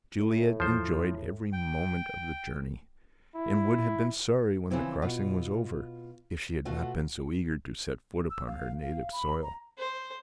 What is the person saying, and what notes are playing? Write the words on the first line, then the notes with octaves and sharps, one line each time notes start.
Juliet enjoyed every moment of the journey; and would have been sorry when the crossing was over if she had not been so eager to set foot upon her native soil.
A2
E2 F3 C5
G5
E4
C#3 E3 F3 C4 E4
B2 F4
B2 A3 F4 F#4
E6
F5
F5
B5
A#5
C5